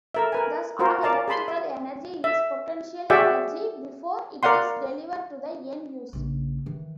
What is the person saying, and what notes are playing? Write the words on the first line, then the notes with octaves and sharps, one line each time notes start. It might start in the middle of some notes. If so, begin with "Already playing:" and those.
Thus, all electrical energy is potential energy before it is delivered to the end-use.
A4 A#4 E5
A#4 B4 G#5
F4 F#4 A#4 C5
A#4 D5 F5 A5 A#5
G#4 A5 B5 C6
E5
E5
F#4 G#4 D5 E5 F#5 G5
A#4 D5 F5 F#5 C6
A#1 C#3
D#3 E3